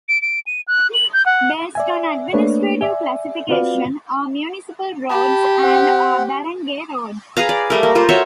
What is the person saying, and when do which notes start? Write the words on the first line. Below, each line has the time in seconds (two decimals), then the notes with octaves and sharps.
Based on administrative classification, are municipal roads and are barangay roads.
0.09 D7
0.22 D7
0.47 D#7
0.68 F#6
0.94 F#7
1.13 G6
1.26 F#5
1.75 D5 E5 G#5
2.33 A3 A#3 D4 B4 C#5 D5
2.81 D5 E5 G#5
3.49 C4 F4 F#4 B4 D5 F5
5.10 G4 A5 B5
5.63 C4 F#5
7.37 G#4 B4 F5 A#5
7.49 D5
7.70 G3 A3 A#4
7.83 A#3
7.95 A3 F4 A#4 C5
8.09 F#4 C5 C#5 E5